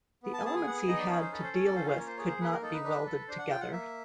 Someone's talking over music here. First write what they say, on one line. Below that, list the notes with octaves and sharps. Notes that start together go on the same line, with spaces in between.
The elements he had to deal with could not be welded together.
B3
A5
G#5
G#4 A5
G#5
B3 F#5
G#5
D#4 D#5
D5
C#4 C#5
C5
A4 B4
C5
C#4 C#5
D5
F4 C5
C5
A#3 C#5
C5
G#4 C#5
C5
A#3 B4
A#4
D#4 A4
B4
D4 B4
A4
D4 C5
F#5
F4 G5
F#5
A#3 E5